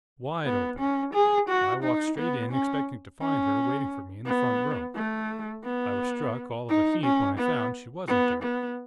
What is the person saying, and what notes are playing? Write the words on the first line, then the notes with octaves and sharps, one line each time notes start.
'Wide open,--I walked straight in expecting to find her waiting for me in the front room,--I was struck all of a heap when I found she wasn't there.'
B3
C#4
G#4
F#4
D#4
B3
C#4
C#4
B3
A3
B3
D#4
C#4
B3
B3
B3